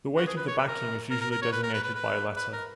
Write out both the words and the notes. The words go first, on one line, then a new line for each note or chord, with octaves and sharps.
The weight of the backing is usually designated by a letter.
F#4
G#4
B4
C#5
B4
A#4
A#4
A#4
A#4
C#5
B4
A#4
B4
B4
B4
B4
A#4